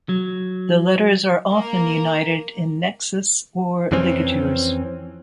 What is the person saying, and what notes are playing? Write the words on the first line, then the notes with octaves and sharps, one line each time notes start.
The letters are often united in nexus or ligatures.
F#3
A#3 A#4
F2 E3 C4 C#4